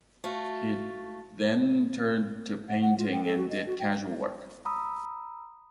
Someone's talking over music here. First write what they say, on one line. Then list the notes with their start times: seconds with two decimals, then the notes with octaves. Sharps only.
He then turned to painting and did casual work.
0.24 A3 F4 F#4
2.69 F#5
2.81 F#5
2.98 F4
3.12 G5
3.24 A4
3.38 F#4
3.50 D#5
3.66 F#4
3.80 G5
4.65 A#5 B5 D#6 E6